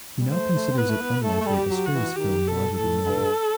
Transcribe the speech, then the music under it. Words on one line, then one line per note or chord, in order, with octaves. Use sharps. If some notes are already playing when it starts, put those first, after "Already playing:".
He now considers it unlikely a "Spares" film will ever be made.
G3
A3 C5
A3
C4
B3 B4
A3
B3
A3 A4
A3
G3
G4
F#3
F#4
E3
D#3 G4
B2 A4
A2 A4
F#2
G2